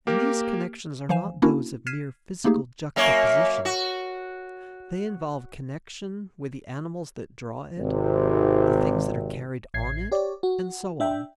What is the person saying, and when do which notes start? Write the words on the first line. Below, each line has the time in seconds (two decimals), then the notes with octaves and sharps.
And these connections are not those of mere physical juxtaposition; they involve connection with the animals that draw it, the things that are carried on it, and so on.
0.07 A#3 G4 A#4
1.09 E3 F3 C5 F5 G#5 E7
1.42 A#3 C#4 D4 E4 F#4 A#4
1.87 F6 G#6 B6 C7 D#7 E7
2.44 A3 A#3 D#4 G4 G#4
2.96 F#2 A#3 C#5
3.65 F#4
7.77 G#1 C3
9.74 A1 G#6 C7
10.12 G4 C#5 D5
10.43 F#4
11.00 D4 E5 G5